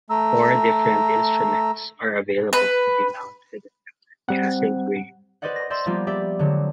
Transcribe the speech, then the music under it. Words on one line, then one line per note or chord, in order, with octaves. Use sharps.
Four different instruments are available to be mounted at the Cassegrain focus.
A3 A#5 E6
B4
G3 C4 F#5
B4 C5 D5 D#5 F#5
A#6
C5 D5 E5 C6
F3 G3 A#3 B3 F4
G4 D5 E5
D3 F3 F#3 G#3 C4